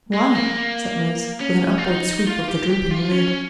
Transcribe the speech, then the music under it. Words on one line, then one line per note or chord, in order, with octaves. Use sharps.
"Why?" said Mliss, with an upward sweep of the drooping lid.
G#3
A#3
C#4
F4
D#4
F4
G4
G4
F4
C#4